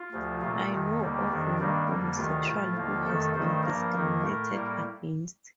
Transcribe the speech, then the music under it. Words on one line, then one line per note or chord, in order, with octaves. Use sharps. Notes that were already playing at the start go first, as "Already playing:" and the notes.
I know of no homosexual who has been discriminated against.
Already playing: F4
D2 C3 F3
A#2 A3 F4
F2 C3 D#3
D#2 D3 G3 A#3
F2 C3 D#3 D4
G2 D#3 G3 A#3 D4
F2 D3 G3 A#3
D2 C3 D#3 F4
A2 F3 A3
D#2 D3 F3 A#3
F2 C3 D#3 A3 A4
G2 D#3 A3 C5
G2 F3 A#3 A#4
F2 D#3 A#3
A2 A3
A2 G3 A#3